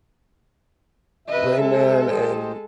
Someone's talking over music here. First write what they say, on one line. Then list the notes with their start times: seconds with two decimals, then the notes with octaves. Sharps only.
Rain Man and
1.28 C3 B4 D#5 E5
1.61 G#3 A4
2.08 G4 C5 D#5